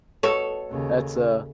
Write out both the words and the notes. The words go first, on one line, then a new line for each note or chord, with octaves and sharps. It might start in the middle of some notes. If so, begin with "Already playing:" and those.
That's, uh
B2 A4 C#5
D#2 C#3